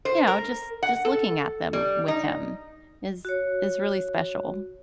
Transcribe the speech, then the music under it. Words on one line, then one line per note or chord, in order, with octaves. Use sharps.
you know, just just looking at them with him is is really special.
C5
A#4
F#5
A4
G3
D#4
F#4 C#5